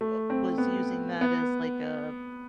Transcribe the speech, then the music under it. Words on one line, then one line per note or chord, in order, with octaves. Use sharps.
uh was using that as, like, a
A3
C4
B3
B3